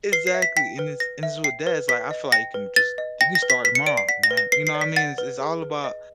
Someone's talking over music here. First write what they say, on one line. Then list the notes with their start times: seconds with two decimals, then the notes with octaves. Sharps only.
Exactly, and this and this is what dad's like, I feel like you can just you can start tomorrow, man, you know what I mean? It's it's all about
0.12 B4 C7
0.27 C7
0.34 E5
0.42 B6
0.57 G5 B6
0.79 B4
1.00 B4 A#6
1.23 E5
1.44 G5 C7
1.67 B4
1.88 B4 B6
2.11 D#5
2.32 G5 A#6
2.54 B4
2.76 B4 A6
2.98 D#5
3.21 G5 A#6
3.35 A#6
3.42 B4
3.50 B6
3.64 B4 B6
3.75 C#7
3.86 D5 D7
3.97 C7
4.09 F#5 B6
4.23 A#6
4.31 B4
4.37 A#6
4.52 B4 C7
4.67 C7
4.75 D5
4.81 B6
4.96 F#5 A6
5.18 B4
5.41 G#4
5.62 B4
5.84 D#5